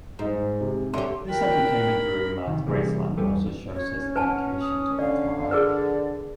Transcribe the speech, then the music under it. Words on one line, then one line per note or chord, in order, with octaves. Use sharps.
His entertainment room at Graceland also shows his dedication to that motto.
G#2 D#4 D#5
C3
D3 G4 C#5 E5 C6
A#4 G5 B5 F#6
C3 D#3
C3 E3 G3 A#3 G#4
E2 G3 A4 B4 G5
C#4 C#5
B4 F#5 G#5 A5
D#6
D3 D5 F5
G#4 A#4 B4 D5